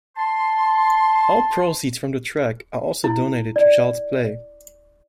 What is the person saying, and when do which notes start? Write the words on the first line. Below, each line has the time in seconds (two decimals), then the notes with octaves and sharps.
All proceeds from the track are also donated to Child's Play.
0.16 A5 C6
3.04 E4
3.56 D5